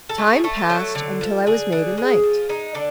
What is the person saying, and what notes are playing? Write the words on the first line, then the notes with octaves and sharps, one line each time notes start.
Time passed until I was made a knight.
A4
A3
G#4
A3 A4
F#3
D3
F3
D3 G#4
D3
G#3
F3
G#3 D#4
D3 D4